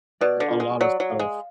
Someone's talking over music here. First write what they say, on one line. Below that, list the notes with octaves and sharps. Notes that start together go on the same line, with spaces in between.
like, a lotta stuff
B2 D5
D3
F4
G#3
F#3 D5
F#3
F5
G#3